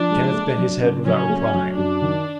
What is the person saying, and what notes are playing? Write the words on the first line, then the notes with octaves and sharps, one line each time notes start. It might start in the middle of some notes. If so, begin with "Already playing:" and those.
Kenneth bent his head without replying.
Already playing: F3 D4
G#3
A3
F#3
C#3
F#3 C#4
A3
C#4
F#3
F#2 D4
D#3